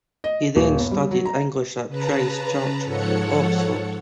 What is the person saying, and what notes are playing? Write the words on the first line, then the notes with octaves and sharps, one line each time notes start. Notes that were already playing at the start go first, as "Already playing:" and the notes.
He then studied English at Christ Church, Oxford.
D#5
D#1
G1
G3
F#3
A#5
C#3 B4 A5 A#5
G#2 F3 A4 C#5 F#5 C#7